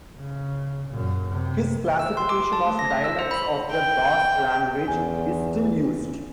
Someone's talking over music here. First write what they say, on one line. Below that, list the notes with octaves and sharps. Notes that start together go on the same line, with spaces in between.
His classification of dialects of the Basque language is still used.
C#3
F#2 A#2
C3
E6
C6
D6
A5
A3
A#6
E5
E6
C5
B5
G5
E2 G#5